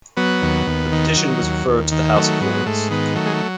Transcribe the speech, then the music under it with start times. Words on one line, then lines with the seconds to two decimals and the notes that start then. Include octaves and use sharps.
The petition was referred to the House of Lords.
0.17 F#3 B3
0.42 D#2
0.67 D#2
0.92 D#3
1.17 F#3
1.42 D#2
1.67 D#2
1.92 D#3
2.16 F#3 A3
2.41 G#2 B3
2.66 G#2 A3
2.91 D#3 B3
3.15 F#3 A3
3.26 G#3
3.33 A3